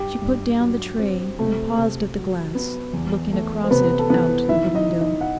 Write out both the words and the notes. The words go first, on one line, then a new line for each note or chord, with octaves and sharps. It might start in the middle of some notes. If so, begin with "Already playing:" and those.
She put down the tray, and paused at the glass, looking across it out of the window.
Already playing: G2 G4
G2
F#3
C4
C3 A3 A4
C3
F#3
B3
E2
A3
C5
C3 B3 B4
A4
E3 B3 B4
D#3 E4 E5
D#4 D#5
D#4
D#4 D#5
F#5